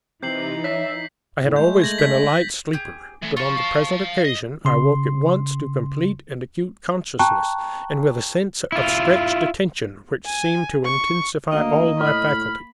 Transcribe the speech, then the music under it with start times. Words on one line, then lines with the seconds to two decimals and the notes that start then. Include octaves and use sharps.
I had always been a light sleeper, but on the present occasion I woke at once to complete and acute consciousness, and with a sense of stretched attention which seemed to intensify all my faculties.
0.23 C3 E3 D#4 G6 C7 F#7
0.64 C#5 E5 B6
1.43 A2
1.56 G#3 A3 G6
1.82 G#6 A#6 F#7
1.99 B6
2.73 G4 G#4
3.22 E3 A3
3.37 F4 A5 C#6
3.57 F5 A5
4.24 D#5
4.65 C#3 C6
7.19 G5 A5 A#5 C#6 F#6
8.72 E4 F4
10.26 G#5
10.85 C#6
11.52 D2 A#3 D#5
12.00 A2 B5 F6